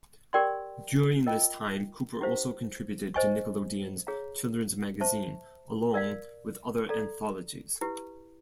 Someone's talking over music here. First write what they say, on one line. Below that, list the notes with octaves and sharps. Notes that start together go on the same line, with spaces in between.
During this time, Cooper also contributed to Nickelodeon's children's magazine along with other anthologies.
G4 A#4 D5 G5 C6
F4 A#4 D#5 G5
C#4 E4 G4 C5 F5
C5 D#5 G#5 C#6
G#4 C#5 F5 A#5
C5 E5 A5 C#6
A#4 D5 F5
A4 D5 F5 A#5 C#6
E4 G4 B4